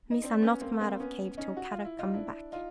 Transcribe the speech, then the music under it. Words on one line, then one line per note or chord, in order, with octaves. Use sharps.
Missa not come out of cave till Kadok come back.
D#4
C4 D4
B3 C#4
A#3 C4
A#3 C4
B3 C#4
C#4 D#4
F#4
F4
E4
D#4 F4
D4 E4
D#4 F4